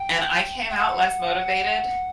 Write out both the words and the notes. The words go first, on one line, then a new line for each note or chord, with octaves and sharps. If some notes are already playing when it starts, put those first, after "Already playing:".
and I came out less motivated
Already playing: G5
G5
F#5